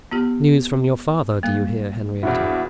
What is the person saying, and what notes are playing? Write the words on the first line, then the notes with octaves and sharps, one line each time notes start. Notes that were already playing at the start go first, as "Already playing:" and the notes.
News from your father, do you hear, Henrietta?
B3 F4 G4
G3 A#3
A#1 E2 E4 F#4